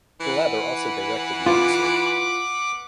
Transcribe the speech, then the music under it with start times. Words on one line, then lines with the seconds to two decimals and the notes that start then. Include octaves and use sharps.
The latter also directed the episode.
0.21 E3 B4 F#5
1.46 F4 D6